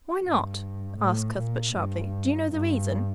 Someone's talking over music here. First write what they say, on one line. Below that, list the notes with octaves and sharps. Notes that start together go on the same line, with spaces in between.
"Why not?" asked Cuthbert sharply; "do you know the reason?"
G2
A2
A#2
G2
G2